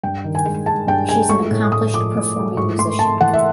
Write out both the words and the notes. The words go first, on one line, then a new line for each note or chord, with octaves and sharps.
She is an accomplished performing musician.
G2 G5
D#3
G#5
G#3
G#3 A5
G2 G5
G#3 G#5
A3 C#6
A2
A2 D#6
F3 D6
A2
A3
G#2 C#6
A3 C6
A3 A5
E3 F#5
E5